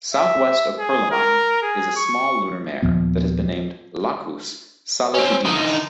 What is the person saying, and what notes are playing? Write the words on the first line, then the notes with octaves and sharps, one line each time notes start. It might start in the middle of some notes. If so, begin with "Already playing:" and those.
Southwest of Perel'man is a small lunar mare that has been named Lacus Solitudinis.
E5
G#4
A#4
G#4
C#6
D#2 A#2 F3 B3
C4 C#4
D3 D#4